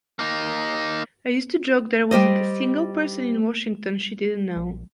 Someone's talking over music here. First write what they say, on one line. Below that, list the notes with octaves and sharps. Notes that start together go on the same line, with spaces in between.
I used to joke there wasn't a single person in Washington she didn't know.
A#3 D#4
G3 G4 C5 D#5
A#1